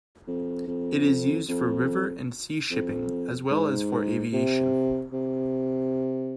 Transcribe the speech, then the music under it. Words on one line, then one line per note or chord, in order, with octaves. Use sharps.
It is used for river and sea shipping, as well as for aviation.
F2
F2
F2
F2
G#2
C3
C3